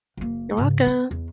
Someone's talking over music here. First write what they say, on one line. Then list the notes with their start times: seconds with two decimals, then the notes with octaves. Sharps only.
You're welcome.
0.17 F#1 A#3
0.57 G#2 C#3
0.87 B3
1.11 E2